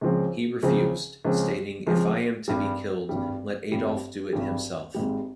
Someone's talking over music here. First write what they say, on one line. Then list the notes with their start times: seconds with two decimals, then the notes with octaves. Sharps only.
He refused, stating, If I am to be killed, let Adolf do it himself.
0.01 C#2 C#3 F3 C4
0.63 C#2 C#3 F3 C4
1.25 C#2 C#3 F3 C4
1.87 C#2 C#3 F3 C4
2.48 G#1 G2 G3
3.09 G#1 G2 G3
3.72 G#1 G2 G3
4.33 G#1 G2 G3
4.94 G#1 G#2 G3